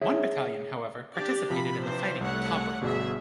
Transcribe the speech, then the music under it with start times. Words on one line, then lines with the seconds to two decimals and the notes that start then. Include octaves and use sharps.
One battalion, however, participated in the fighting at Tobruk.
0.02 G#4 C#5 E5
1.16 D4 G4 D5
1.50 C3 F3 B5
1.84 E3 D4 C5
2.21 C2 A3 C#5 F#5
2.81 G1 B2 G#4 D5 E5